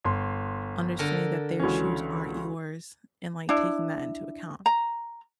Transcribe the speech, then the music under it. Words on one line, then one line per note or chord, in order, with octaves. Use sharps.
understanding that their shoes aren't yours and, like, taking that into account.
G1 C6
D3 A4 A#4
C#2 E3 C#4 F#4
D4 E4
A#5